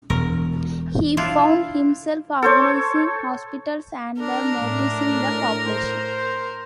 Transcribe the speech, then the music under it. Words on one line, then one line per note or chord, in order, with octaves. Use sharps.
He found himself organizing hospitals and the mobilizing the population.
E1 A#4
D4 E4 F4
A4 C5 C#5
D4 A#4
A2
C5